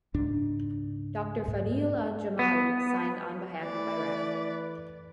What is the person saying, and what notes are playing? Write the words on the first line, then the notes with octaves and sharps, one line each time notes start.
Doctor Fadhil Al-Jamali signed on behalf of Iraq.
C#2 G#2 D4
G#2
B3
E3 A3 B4 D5